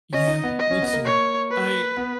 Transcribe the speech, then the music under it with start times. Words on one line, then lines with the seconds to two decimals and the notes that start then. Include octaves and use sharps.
Yeah, me too. I
0.13 C#4 D#5
0.28 D#4
0.44 B3
0.59 D#5
0.71 C#4
0.82 B3
0.93 A#3
1.05 C#5
1.51 B4
1.97 B3